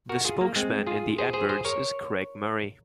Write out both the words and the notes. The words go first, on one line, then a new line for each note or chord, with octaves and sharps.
The spokesman in the adverts is Craig Murray.
F#4 A#4
F4 G#4
A#3
G#3 C4
F4 G#4
G#4 C5
G#4 C5
G#4 C5
A#4 C#5